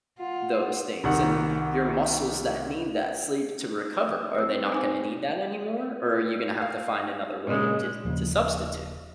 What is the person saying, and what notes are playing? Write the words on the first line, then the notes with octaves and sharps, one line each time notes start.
those things, and your muscles that need that sleep to recover, are they not gonna need that anymore, or are you gonna have to find another way to to substitute?
F4 F#5
C2 D#3 F#5
C4 B4 E6
D#4 G#5 D6
F5
A#2 C#3 G#3
D#1 C#3 F3 A#3